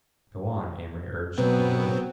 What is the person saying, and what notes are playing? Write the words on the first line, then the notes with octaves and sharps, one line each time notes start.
"Go on," Amory urged eagerly.
B2 F#3 B3 C4